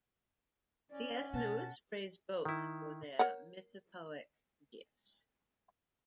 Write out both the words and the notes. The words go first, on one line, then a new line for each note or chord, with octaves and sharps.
C. S. Lewis praised both for their "mythopoeic" gifts.
C#4 D5
B2 F#5 A5
D#3 E4
A#4 C#5 F#5